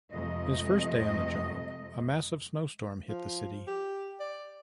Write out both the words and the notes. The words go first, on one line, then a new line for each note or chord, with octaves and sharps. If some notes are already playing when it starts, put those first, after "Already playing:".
His first day on the job a massive snow storm hit the city.
F2 C3 G#3 A3 D#5
F3
G4
D5